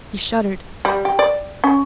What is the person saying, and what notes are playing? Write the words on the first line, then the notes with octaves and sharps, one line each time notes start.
He shuddered.
G3
G4
D5
C#4